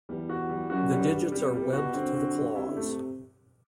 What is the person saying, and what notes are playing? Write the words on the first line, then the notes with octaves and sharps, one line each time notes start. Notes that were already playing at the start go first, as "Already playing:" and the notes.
The digits are webbed to the claws.
E2 G3
F#4
G3
F#2 F#4
G3
G2
G3
D3
C3 G3
G3
B2
F#4
D3 C4
F#4
G3
C3 E4
D3
C3 A3